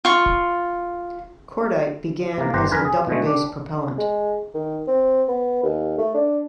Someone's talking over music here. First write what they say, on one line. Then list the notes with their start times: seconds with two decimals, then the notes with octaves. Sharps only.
Cordite began as a "double-base" propellant.
0.05 F4 C#6
2.38 C3 A#3
2.54 G1 G4 C5 F#5 A#5
2.71 F2 A#4 B4 G#5
2.85 G#4
3.07 B2 D3 G#3 A3
3.27 D4 G4
3.98 G#3
4.54 D#3
4.87 C4
5.28 B3
5.63 D#2
5.98 A3
6.15 D4